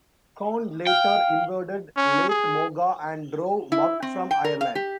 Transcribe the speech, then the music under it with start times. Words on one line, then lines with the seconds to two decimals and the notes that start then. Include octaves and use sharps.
Conn later invaded Leth Moga and drove Mug from Ireland.
0.87 F5 G5
1.97 C#4
2.30 G#4
3.72 E4
4.02 C4
4.31 G5
4.44 A#4
4.61 F5
4.75 G4